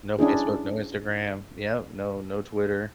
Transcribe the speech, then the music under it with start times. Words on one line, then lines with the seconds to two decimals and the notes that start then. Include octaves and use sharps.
No Facebook, no Instagram, yep, no no Twitter.
0.19 C#4 D4 E4 G#4